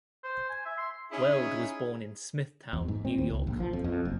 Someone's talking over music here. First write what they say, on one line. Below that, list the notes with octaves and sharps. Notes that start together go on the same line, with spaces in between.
Weld was born in Smithtown, New York.
C5
G#5
E5
C6
C#4 D#4 E4 G#4
E2
G#2
C4
D#2
C#2
A#1
F3
F2
F2
F#1